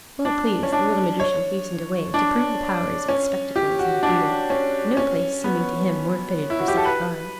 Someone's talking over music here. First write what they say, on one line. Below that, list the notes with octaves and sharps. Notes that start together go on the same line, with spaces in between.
Well pleased the little magician hastened away to prove the powers of the spectacles in the theatre; no place seeming to him more fitted for such a trial.
D4
C#4
D4
C#5
D4
C#4
G4
F#4
D4
C#4
C#4
B3
E4
F#4
G4
A4
B4